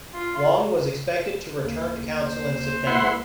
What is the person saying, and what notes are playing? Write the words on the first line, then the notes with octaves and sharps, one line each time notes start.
Wong was expected to return to council in September.
F4
D2 A#3
C5
E4 F#5 C6